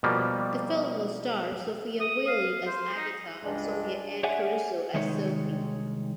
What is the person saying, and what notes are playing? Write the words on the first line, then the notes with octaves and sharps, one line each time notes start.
The film will star Sofia Wylie as Agatha and Sophia Anne Caruso as Sophie.
B2 F3 G3 A#3
D#6
F5
C5
D#4
C#2 G2 G#3 D4
G#4 C#5 D5 E5 F#5 G#5
C2 D#3 G#3 D#4 C#5